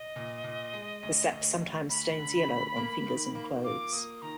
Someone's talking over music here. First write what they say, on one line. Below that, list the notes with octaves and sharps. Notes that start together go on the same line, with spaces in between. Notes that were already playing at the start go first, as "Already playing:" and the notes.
The sap sometimes stains yellow on fingers and clothes.
Already playing: D#5
A#2
A#2
G#3
D2
D2
D2
D2 B5
D3
D2
A#3
D#3
A#3
F4 D6
A#3 D#6
D#3 A#5